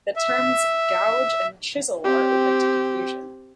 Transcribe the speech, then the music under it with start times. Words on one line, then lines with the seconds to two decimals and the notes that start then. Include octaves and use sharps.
The terms "gouge" and "chisel" are open to confusion.
0.16 E5
2.04 C4 G4